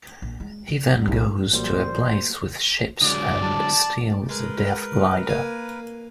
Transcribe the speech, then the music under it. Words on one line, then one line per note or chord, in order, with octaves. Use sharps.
He then goes to a place with ships and steals a Death glider.
A#1
G#3
D3
F2 G3
B1 F3
A1 A#2 F#3 G3 C5
D3 F#3 G#3 D5
A5
G#3 A#4 B4
A#3 G#5